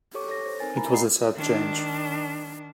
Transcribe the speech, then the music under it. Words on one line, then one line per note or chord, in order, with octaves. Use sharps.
It was a sad change.
G4 A4 C#5 C#6 D6
A4 C#5 A#6
C5
C4 D#4 A#4 G#5 A6
E4 A#4 G#5 A#5 B5
D5 D#5 F#5 A#5 B5 C7
D#3 D4